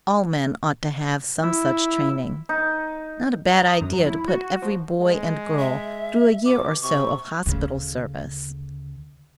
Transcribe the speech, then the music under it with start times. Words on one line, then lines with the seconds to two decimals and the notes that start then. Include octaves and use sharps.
All men ought to have some such training, Not a bad idea to put every boy and girl through a year or so of hospital service....
1.44 E4
2.49 D#4
3.52 A#5
3.68 D#6
3.81 F#2
3.93 F#3
4.06 E4
4.28 F#4
4.62 F3
4.99 G#3
5.59 E5
6.45 B2 D6
6.83 C3 C#6
7.46 D2 C#3